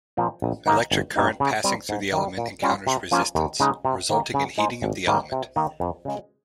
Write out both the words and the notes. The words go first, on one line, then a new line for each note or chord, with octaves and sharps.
Electric current passing through the element encounters resistance, resulting in heating of the element.
A#2 F3 C4
A#1
G#2 D#3 A#3 D#4
G1
G2 G3 A#3 D#4
C#3
G3 C4
G#2
D#3 G3
A#2
G3 C#4 F4
C3
F3 A#3 C#4 F4
D#2
C#3 G#3 D#4
C3
D#3 A#3
C#3
G#3 D#4 G#4 C5
G#1
G#2 D#3 G3 A#3
C3
D#3 A#3 D#4
F2
C#3 G#3